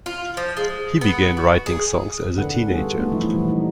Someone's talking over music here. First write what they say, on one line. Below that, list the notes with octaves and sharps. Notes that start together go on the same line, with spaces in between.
He began writing songs as a teenager.
F4
F3
G#3
B3
F#4
G#4
D3 D4 A4 B4 F#5
G3 B3 F4 F#4 G#4 A4
A3 B3 D4 D#4 F#4
E3 F3 E4
A#2 E3 G3
G3 D#4